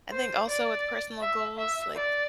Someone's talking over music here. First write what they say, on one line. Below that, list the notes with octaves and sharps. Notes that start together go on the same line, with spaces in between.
I think also with personal goals, like
C5
D5
E5
E5
D5